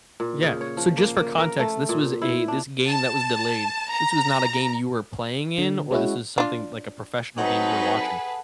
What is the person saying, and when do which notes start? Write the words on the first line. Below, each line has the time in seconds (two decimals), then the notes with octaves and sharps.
Yeah. So, just for context, this was a this game that was delayed, this was not a game you were playing in? Or this is something like a professional game you're watching?
0.20 A#2
0.42 C#3
0.61 C#5
0.77 F3
0.98 A#3
1.20 A#3
1.38 A#4
1.59 A3
1.89 A#2
2.22 E4
2.48 D4
2.87 A5
3.90 A#5
5.58 D3
5.91 G#3 C#4 E4 F#4
6.38 D4 F4
7.38 F#3 C4 D#4 G#4 A4 B4 F#5